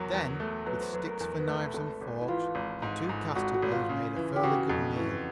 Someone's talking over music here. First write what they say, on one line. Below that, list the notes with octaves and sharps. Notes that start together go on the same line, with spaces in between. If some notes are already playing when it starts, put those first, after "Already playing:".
Then, with sticks for knives and forks, the two castaways made a fairly good meal.
Already playing: E2 F#3 A#4
E2
A3
F#3 B4
C5
F#3 B4
A#4
E2 A#4
B4
A3
B4
G#1 A4
G#1
E4
E3 F4
G#1
G#2
G#2
G#1 F#4
F#4
G#1
F4
C#3
E3
G4
C#3 F#4
F2
E3